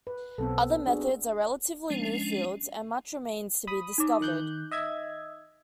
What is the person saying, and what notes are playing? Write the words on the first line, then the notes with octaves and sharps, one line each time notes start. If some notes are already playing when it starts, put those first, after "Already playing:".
Other methods are relatively new fields and much remains to be discovered.
B4
B1 B3 C4 A4
B3 D4 F#4 G#4
F3 G#3 C#4 D4
B5 D#6
D#4 D6
D#3 F#6 G6
D#5 E5 G#6